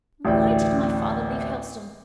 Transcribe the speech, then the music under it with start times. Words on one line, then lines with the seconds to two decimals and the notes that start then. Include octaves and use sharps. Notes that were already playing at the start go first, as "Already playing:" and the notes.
Why did my father leave Helstone?
0.25 A1 D2 D5 G5